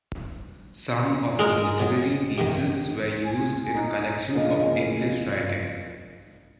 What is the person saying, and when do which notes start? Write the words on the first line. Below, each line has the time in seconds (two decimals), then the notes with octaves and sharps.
Some of his literary pieces were used in a collection of English writing.
1.39 G#3 G#4 A#4
1.80 G#2 F#3
2.38 G2 B2 D#3
3.25 G#5
3.74 D#4
4.33 F2 C#3 A#3 F4 G#4 D#5